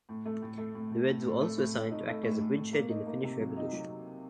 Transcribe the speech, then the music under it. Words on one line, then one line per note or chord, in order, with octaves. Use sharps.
The Reds were also assigned to act as a bridgehead in the Finnish revolution.
A2
A3
A2
A3
A2
A2
A2
A2
A3
A2
A3
D#4
A3
A2
A2
A2
A#3
D#4
A#3
C3
F#3
D#4
F#3